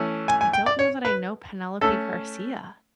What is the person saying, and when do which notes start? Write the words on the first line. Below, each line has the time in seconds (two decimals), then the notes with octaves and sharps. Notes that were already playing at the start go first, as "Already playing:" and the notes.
I don't know that I know Penelope Garcia.
Already playing: E3 A3 C#4
0.28 G#5
0.41 G#5
0.53 G5
0.66 D5
0.79 C#5
1.05 B4
1.81 A3 C#4 A4